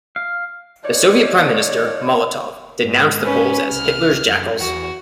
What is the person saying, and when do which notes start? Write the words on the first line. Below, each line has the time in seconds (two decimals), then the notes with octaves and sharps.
The Soviet Prime Minister, Molotov, denounced the Poles as "Hitler's jackals".
0.16 F5
0.83 F3 D#4 C#5 D5
2.84 G#2
3.23 C#4 B4
3.71 C2 F6
4.27 F#2
4.59 E2 F#4